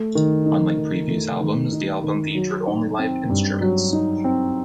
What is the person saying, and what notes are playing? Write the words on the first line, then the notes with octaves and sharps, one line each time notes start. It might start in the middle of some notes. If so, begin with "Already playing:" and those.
Unlike previous albums, the album featured only live instruments.
Already playing: A3
D#3
D#4
D#3
A3
D#3
D#4
D#3
F#3
D#4
C4
G2
F#3
D#4
C4